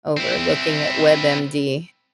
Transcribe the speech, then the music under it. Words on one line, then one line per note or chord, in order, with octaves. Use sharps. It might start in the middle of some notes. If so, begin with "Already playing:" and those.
over looking at WebMD.
C4 E4